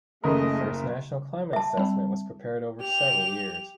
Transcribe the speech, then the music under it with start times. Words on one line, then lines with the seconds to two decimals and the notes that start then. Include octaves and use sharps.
The first National Climate Assessment was prepared over several years.
0.24 F#1 C#3 A3 G#4 A#4 D#5
1.53 E5 A5
1.77 G3 C4
2.81 G4 F7